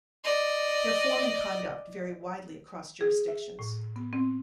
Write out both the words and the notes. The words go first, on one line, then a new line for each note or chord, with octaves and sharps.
Their form and conduct vary widely across jurisdictions.
D5 D#5
G#4
E5
A2
B3
C4